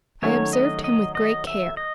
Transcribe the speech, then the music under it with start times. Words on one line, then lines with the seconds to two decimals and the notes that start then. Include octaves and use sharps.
I observed him with great care.
0.22 D#3 F#3 A3 C#4 C#5
0.53 D#5
0.84 D#5
1.15 D#5
1.47 E5
1.77 D#5